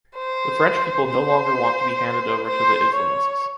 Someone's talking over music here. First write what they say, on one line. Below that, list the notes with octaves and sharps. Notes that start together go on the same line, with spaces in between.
The French people no longer want to be handed over to the Islamists.
C5
C5
C5
C#5